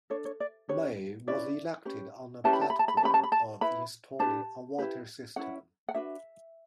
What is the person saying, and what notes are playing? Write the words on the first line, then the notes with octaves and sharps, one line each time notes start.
May, was elected on a platform of installing a water system.
D4 A4 C#5
C#5
D5
C#4 G4 B4 C#5
C#4 E4 B4 D5
C#4 G4 B4
C#4 E4 G4 B4 A5
B5
A5
B5
A5
B5
A5
C#4 G4 B4 B5
A5
B5
A5
E4 B4 B5
D4 G4 B4 A5
E4 G4 B4
C#4 E4 B4 F#5
F#5
D4 F#4 B4 E5